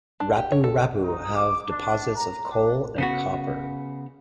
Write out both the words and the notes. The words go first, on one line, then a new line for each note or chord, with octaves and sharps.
Rapu-Rapu have deposits of coal and copper.
D4
G4
C#5
A4
D#4
D6
D4
A#5
D4
C#3 B3 F#4